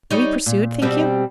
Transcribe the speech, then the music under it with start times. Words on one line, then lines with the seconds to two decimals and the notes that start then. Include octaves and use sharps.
Are we pursued, think you?
0.11 G3 D#4 C#5
0.46 A#2
0.82 B2 G3 C4